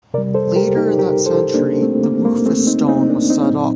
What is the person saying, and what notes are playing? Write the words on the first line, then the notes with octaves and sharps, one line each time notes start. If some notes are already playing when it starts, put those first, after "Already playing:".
Later in that century the Rufus Stone was set up.
C3 G3 A#4 D5
A4 C5
G4 A#4
D#4 G4
G4 A#4
A4 C5
A#3 D4
A3 C4
A#3
A#3
A3 C4
C4 D#4
C4 D#4
A#3 D4
C4 D#4
A#2 F#3